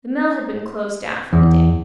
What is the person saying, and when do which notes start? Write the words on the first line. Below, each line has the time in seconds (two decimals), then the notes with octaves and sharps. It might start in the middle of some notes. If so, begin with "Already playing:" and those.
The mill had been closed down for the day.
1.33 E2